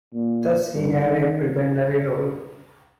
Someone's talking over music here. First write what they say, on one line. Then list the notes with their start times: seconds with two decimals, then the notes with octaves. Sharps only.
Thus he had a prebendary role.
0.14 A#2
0.74 G2
1.05 D#3